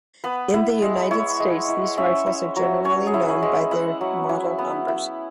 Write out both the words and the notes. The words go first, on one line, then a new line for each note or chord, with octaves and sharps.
In the United States, these rifles are generally known by their model numbers.
B3 B4
E4
G#3
E4 C#5
G#3
E4
C#4 E5
E4
F#3
C#4 C#5
G#4
E4
B4
G#3
E4 F#5
F#3
E4
B3
E4